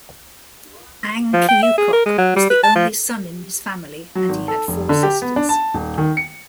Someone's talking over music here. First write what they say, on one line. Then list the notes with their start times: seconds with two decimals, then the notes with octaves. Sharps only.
Ang Kiukok was the only son in his family and he had four sisters.
1.33 F3
1.49 G5
1.63 E5
1.78 G#4
1.93 A#4
2.06 G#3
2.18 F#3
2.36 G3
2.50 B4
2.64 A5
2.76 F3
4.15 F#3
4.29 G#1
4.48 A4
4.68 F1
4.89 D3
5.03 G4
5.22 B3
5.36 D4
5.49 A5
5.74 D#1
5.98 D#3
6.17 C#7